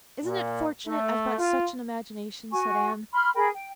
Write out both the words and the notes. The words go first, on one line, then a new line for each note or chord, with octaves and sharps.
"Isn't it fortunate I've got such an imagination?" said Anne.
A#2
A3
F4
F#4 G#5 C#6
B5 C6 F6
G#4 A#4 G5 B5
G5